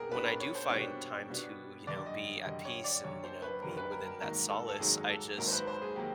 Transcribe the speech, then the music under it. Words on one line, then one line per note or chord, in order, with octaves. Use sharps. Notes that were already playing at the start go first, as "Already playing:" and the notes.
when I do find time to, you know, be at peace and, you know, be within that solace, I just
Already playing: B2 G3 B3 D4 G4 G#4 A#4
B2 G3 B3 D4 B4
A#4
C#5
C5
B2 G3 B3 D4 C#5
B2 G3 B3 D4
F#2 D3 G3 D5
D#5
F#2 D3 G3 D#5
C#5
D5
F#2 D3 G3 C#5
C5
B4
F#2 D3 G3 A#4
B4
A#4
A#4
G#2 D#3 F#3 A#3 A#4
A4
A4
G#2 D#3 F#3 A#3 G#4
A4
G#2 D#3 F#3 A#3 A#4
C5
B4
C5
G#4
D#3 F#3 A#3 G4